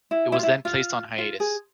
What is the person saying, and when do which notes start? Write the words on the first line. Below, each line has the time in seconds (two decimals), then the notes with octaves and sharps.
It was then placed on hiatus.
0.11 E4
0.32 E4
0.39 F4
0.43 E4
0.65 F4
1.18 F4
1.40 G#4